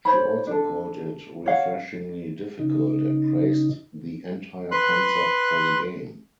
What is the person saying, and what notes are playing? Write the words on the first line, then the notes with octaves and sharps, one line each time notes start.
She also called it "refreshingly difficult" and praised the entire concept for the game.
C5 C#5 B5
D4 A4
C#5 F5 F#5
C#3 D#4
B4 C6 F#6